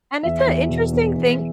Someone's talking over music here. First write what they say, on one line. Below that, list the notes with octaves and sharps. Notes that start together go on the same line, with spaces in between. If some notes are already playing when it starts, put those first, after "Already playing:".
and it's an interesting thing
E2 E5
E2
B2
E2
E2